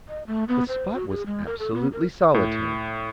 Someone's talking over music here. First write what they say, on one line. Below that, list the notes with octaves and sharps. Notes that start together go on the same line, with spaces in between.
The spot was absolutely solitary.
D#5
A3
B3
C5
F#4
G#4
G#3
A#4
A4
B3
A#4
A2